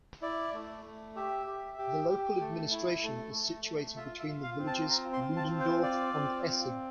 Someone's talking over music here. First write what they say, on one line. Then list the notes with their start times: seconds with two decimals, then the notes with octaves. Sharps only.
The local administration is situated between the villages Ludendorf and Essig.
0.22 E4 D5
0.54 A3
0.85 A3
1.16 G4 E5
1.46 G4
1.78 G4
2.09 G4
2.40 A3
2.71 E4
3.03 A3
3.34 A3
3.64 A3
3.96 F4 E5
4.20 E5
4.27 F4
4.43 F5
4.59 C4
4.67 A5
4.89 C4 A#5
5.13 C6
5.21 F4
5.36 A5
5.51 C4
5.60 C5
5.82 F4 D5
6.14 C4
6.46 C4